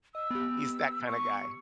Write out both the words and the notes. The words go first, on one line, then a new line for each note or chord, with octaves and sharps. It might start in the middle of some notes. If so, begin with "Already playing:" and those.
he's that kinda guy.
D#5 E6
B3 G4
C#6